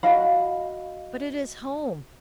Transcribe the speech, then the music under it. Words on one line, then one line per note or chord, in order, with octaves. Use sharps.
But it is home.
F#4 D#5 F5 B5